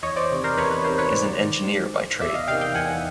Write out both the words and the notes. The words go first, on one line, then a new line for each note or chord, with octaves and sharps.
He is an engineer by trade.
E2 C#5 D#5
C5 D5
C3 D#3
A#4 C5
E2 B4 C#5
B4 C#5
C3 D#3 A#4 C5
B4 C#5
G#2 C5 D5
D#3
G#2
D#3
E2 D5 E5
D#5 F5
C3 D#3 F5 G5
F5 G5
E2 F#5 G#5